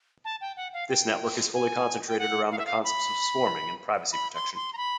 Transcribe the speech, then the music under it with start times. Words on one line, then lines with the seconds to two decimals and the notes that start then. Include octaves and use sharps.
This network is fully concentrated around the concepts of swarming and privacy protection.
0.25 A5
0.41 G5
0.57 F#5
0.73 F5
0.89 G5
1.54 G#5
2.08 G5
2.19 F#5
2.51 F5
2.58 E5
2.66 F5
2.84 B5
4.13 B5
4.35 C6
4.56 C6
4.73 A#5
4.78 B5